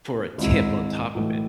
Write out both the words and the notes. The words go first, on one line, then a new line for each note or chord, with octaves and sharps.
for a tip on top of it?
G#1 G#2 G#3 C4 E4
B1 A2 E3 A3